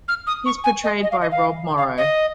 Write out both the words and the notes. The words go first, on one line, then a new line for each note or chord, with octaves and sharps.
He is portrayed by Rob Morrow.
F6
D#6
C#6
G#5
D#5
D#5
F5
D#5
F5
F5
D#5